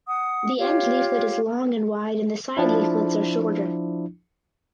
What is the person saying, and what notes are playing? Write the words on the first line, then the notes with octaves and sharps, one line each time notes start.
The end leaflet is long and wide and the side leaflets are shorter.
F#5 D#6
F4 G4 C#5 F5
F3 D4 E4